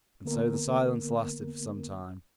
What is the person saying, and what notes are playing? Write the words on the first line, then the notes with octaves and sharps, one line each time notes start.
And so the silence lasted for some time.
D3 A#3 B3 A#4